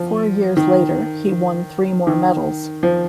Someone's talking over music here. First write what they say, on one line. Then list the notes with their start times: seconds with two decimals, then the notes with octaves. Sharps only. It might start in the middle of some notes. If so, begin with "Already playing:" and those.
Four years later he won three more medals.
Already playing: F3
0.57 D#3
2.07 D#3
2.83 F3